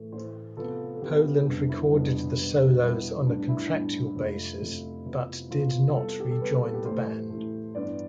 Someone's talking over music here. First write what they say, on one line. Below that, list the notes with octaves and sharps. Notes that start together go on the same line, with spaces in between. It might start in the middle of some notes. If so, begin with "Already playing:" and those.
Poland recorded the solos on a contractual basis, but did not re-join the band.
Already playing: A2 E3 A3
A2 E3 A3 C5
C3 F3 B3 A4
A4
C3 F3 B3 G4
F2 C3 G3 B3 D4
E4
F2 C3 G3 B3 D4
B2 G3 B3
B2 G3 B3 E4
A2 G3 B3 D4
E4
D4
A2 G3 B3 E4
F2 C3 F3 A3
F2 C3 F3 A3
C3 F3 B3
C3 F3 B3 F4
C3 G3 B3 A4
G4
A4
C3 G3 B3 B4
B4
A4
G4
A2 E3 A3 C5
A2 E3 A3
G2 E3 B3 D5